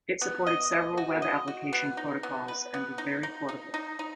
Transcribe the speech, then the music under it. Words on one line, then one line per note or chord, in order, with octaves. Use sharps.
It supported several web application protocols and was very portable.
B3
D#5
D#5
F#4
D#5
F#4
B3
D#4
B3
B4
B3
D#4
D#4
D#4
D#4
D#4